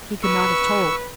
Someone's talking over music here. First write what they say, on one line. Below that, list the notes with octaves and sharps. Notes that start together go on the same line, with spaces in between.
He could not have told.
B4 C#6 E6